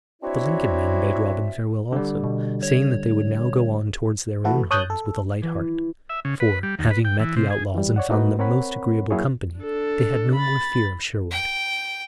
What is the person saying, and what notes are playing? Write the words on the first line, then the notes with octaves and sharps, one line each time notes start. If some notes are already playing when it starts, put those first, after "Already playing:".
The Lincoln men bade Robin farewell also, saying that they would now go on towards their own homes with a light heart: for, having met the outlaws and found them most agreeable company, they had no more fear of Sherwood.
C4 D4 E4 F#4 C#5 E5
D3 G3
B2
C#5
E3 A3 F#4 A4 B4
C#5 A5 D#6 F#6 G6
A4
E3
E5
C#3
B4
G3
D#2
B4
G5
E3
C3
G#4
E3 G3
C#5 D5 F#5
A2 A3 A#3 D#4 F#4 B4
C4 A#4 C#5 F#5 B5
F#3 A#3 E4 F#4 G#4 C#5
D4 A4
B5 A6
G5